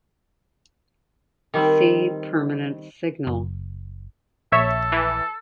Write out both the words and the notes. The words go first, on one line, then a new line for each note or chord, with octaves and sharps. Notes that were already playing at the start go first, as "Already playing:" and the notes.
See permanent signal.
D#3 G3 C4
F#1
A#1 A4 C#5 E5
E3